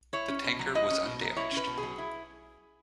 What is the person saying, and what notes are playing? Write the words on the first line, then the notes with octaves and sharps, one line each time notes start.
The tanker was undamaged.
E4 C#5
C#4
B2
F#3
E4 D#5
C#4
B2
F#3
E4 C#5
C#4
B4
B2
G#4
F#3
E4